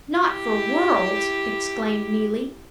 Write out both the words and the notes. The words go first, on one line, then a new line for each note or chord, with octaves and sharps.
"Not for worlds!" exclaimed Neelie.
E4 G4